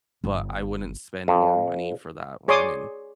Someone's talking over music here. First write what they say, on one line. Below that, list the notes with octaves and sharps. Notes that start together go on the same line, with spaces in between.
but I wouldn't spend more money for that one, and,
G1
F2
G#4 C#5 D5 C6 D6 D#6